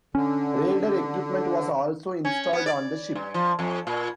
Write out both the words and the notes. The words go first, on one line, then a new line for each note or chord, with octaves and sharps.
Radar equipment was also installed on the ship.
D3 C#4
C#4
B3
D5
G2
F3
F2
A#2